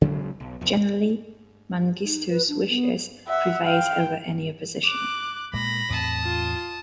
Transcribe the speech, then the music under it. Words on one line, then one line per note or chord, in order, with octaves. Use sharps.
Generally, Mengistu's wishes prevailed over any opposition.
C#3 F#3 G#3 C4
B1
B1 F2
D#4
B4
D4
B3
E5 F#5
F5 G5
D6 F#6
A#2 G#3 A#3 B5 A#6
E2 A2 C4 A5 D#6
F4